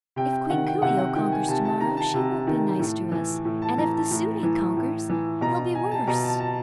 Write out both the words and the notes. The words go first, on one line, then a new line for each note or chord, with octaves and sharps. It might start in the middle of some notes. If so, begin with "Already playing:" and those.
"If Queen Coo-ee-oh conquers to-morrow, she won't be nice to us, and if the Su-dic conquers, he'll be worse."
C3 G5
G5
D#3 F#5
G5
C3 F#5
F#5
D#3 G5
G#5
C3 A5
A5
D#3 A#5
A5
C3
D#3
A2
E3
A2
A5
E3 A#5
A5
A2
E3
A2
E3
B2 A#5
G#5
A5
B2 A#5
A5
A5